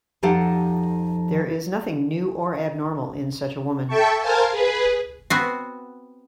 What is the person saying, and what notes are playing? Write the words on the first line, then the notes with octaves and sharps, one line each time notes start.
There is nothing new or abnormal in such a woman.
F2 F3 D#4 G4 A4 F#5
A4 E5 G5 A5 C#6
A#4 C5 F5 G#5 A5
G#4 B4
B3 C4 F#4